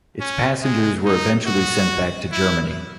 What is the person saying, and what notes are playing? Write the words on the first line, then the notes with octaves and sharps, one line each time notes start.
Its passengers were eventually sent back to Germany.
C#4
G#3
D#4
F#4
E4